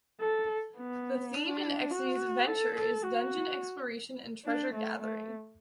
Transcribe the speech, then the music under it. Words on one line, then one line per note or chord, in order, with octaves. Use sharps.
The theme of Exidy's "Venture" is dungeon exploration and treasure-gathering.
A4
B3
D4
F#4
A4
A4
F#4
D4
A3
A3